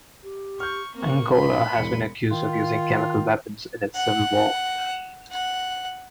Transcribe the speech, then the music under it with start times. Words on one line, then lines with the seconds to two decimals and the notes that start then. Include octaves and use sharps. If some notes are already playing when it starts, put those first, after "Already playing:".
Angola has been accused of using chemical weapons in its civil war.
0.24 G4
0.60 C#6 F6 G6
0.95 A#3 C4 C#6
1.32 C#4 B5 C6
1.75 E1 E3 C#7
2.31 D#3 F4
3.96 F#5
5.32 F#5